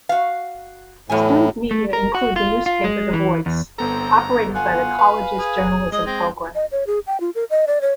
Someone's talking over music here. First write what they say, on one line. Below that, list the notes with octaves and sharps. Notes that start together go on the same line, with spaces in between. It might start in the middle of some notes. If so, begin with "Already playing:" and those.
Student media include the newspaper "The Voice", operated by the College's Journalism Program.
F#4 F5
E2 A2 F#3 G#5
A3
A#4
F#4
F4
F4
G#3
E3
E2
G1 B3 C4 A4 A#5
F4 F#5 G#5
B4 F5
G#4
G#3 G#4 D#5 D#6
C4 A#6
D#5
C#5
G#4
G5
F4
A#4
D#5
D5
C#5